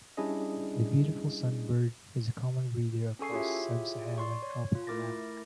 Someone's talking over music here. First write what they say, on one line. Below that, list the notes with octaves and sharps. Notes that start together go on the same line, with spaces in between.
The beautiful sunbird is a common breeder across sub-Saharan tropical Africa.
G3 C#4 D4 E4 G#4 D#5
C#4 G#4 A4 G#5 C#6 C7
E4 F4 G4 G#4 C#5 E5
D5 C6 C#6
C#5
F4
A3 E4 A#4 D6 A6 A#6